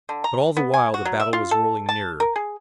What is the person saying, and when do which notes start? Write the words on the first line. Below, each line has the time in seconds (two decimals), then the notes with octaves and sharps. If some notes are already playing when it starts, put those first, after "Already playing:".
But all the while the battle was rolling nearer.
0.09 D3
0.24 A#5
0.57 B3
0.74 G#5
0.94 F#4
1.05 F#3
1.20 E5
1.33 F4
1.51 A4
1.89 A5
2.20 A#4
2.36 G#4